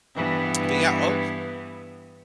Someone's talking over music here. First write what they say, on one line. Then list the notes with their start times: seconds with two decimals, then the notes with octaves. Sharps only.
But, yeah, oh
0.15 G2 E3 B3